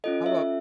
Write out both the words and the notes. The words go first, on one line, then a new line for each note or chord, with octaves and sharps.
How 'bout
C#4 F4 A4 D#5
E5